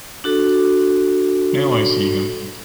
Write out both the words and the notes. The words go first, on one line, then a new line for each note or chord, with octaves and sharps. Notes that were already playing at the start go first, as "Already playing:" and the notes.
Now I see him.
D4 F#4 A4